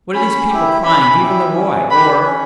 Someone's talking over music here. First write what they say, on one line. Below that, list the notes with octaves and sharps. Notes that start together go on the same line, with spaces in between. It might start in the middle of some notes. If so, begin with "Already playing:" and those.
What are these people crying 'Vive le Roi!' for?
C#4 B5
E4 G4
C#4 B5
E4 G4
C#4
G4 B4 B5
C#4